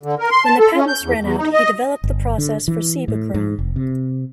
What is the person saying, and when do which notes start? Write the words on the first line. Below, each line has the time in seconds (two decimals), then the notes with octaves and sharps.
When the patents ran out, he developed the process for Cibachrome.
0.03 D3
0.19 A#4
0.31 C6
0.45 A5
0.59 A4
0.75 C#4
0.87 G6
1.03 E2
1.20 E2
1.38 D#4
1.53 D#5
2.04 G1
2.38 D3
2.68 E3
3.08 A2
3.34 G#2
3.59 F1
3.76 C3